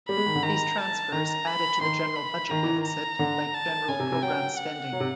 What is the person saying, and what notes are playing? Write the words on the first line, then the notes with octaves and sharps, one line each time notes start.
These transfers added to the general budget deficit like general program spending.
G3 B5
G#3
D#3
D3
D#3 A#5
A5
D#3 A#5
B5
D#3 C6
B5
D#3 A#5
E3
D#3
A#5
D3
A5
C#3 G#5
C3
C3
F#3 G5
F#5
F#3
C3